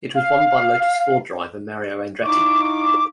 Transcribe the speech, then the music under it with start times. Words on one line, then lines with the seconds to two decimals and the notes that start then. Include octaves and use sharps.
It was won by Lotus-Ford driver Mario Andretti.
0.14 F5
2.24 D#4 E4 F5 C#6 D6